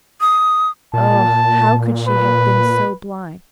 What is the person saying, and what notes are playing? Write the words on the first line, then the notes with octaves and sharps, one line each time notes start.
Oh! how could she have been so blind?
D#6
A#2 A5
B4